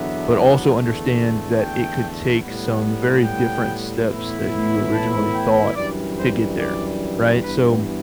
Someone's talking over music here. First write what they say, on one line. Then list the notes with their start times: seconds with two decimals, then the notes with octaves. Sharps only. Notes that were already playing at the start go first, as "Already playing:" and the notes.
but also understand that it could take some very different steps that you originally thought to get there, right, so
Already playing: E2 D3 F#3 B3 D4 E5
0.74 E2 D3 A3
1.57 G5
2.41 A2 G3 B3
3.24 G5
4.09 A2 E3 B3 E4
4.92 A5
5.34 G5
5.75 F#2 E3 G3 D4 D5
6.17 C5
6.59 D5
7.42 G2 E3 B3 B4